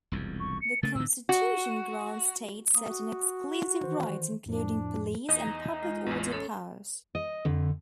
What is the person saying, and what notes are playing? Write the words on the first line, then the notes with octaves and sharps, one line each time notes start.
The Constitution grants states certain exclusive rights including police and public order powers.
E1 C2 F2
C#6
C#7
C#3 A3 A#3 A6
A2 D3 E6
F#4
A#3 D#6
F#4
D#3 E3 C5
F2 A2 F3 D4
E2 D#4 D#5
G#3 F4
A1 E2
C#4 A4 C#5
D#5
F2 D3